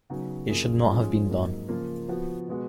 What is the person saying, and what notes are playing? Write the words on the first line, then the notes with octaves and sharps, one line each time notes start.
It should not have been done.
C#3 F#3 B3 D#4 F#4
F#2 F3 A#3 F4 G#4
F3 G#3 C#4 F4 G#4
G#2 F#3 A#3
C#3 F3 A#3 F4
F3 B3 F#4
B2 G#3 B3 F#4